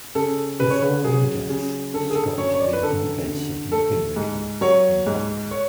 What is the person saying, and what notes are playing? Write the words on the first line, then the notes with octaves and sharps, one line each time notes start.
Before her death, Scott lived in a bedsit in Pimlico in poverty.
C#3 A4
C#3 B4
C#5
B4
F#3 G#4
C#3
D3 A4
G#4
A4
F#2 C#5
C#5
D5
B4
D3 A4
D3
A3 A4
G#2
F#3 C#5
G#2
C#5